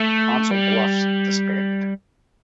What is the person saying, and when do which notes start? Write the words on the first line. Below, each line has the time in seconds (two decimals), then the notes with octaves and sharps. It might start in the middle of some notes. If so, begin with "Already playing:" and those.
Council Bluffs disbanded.
Already playing: A3
0.51 G3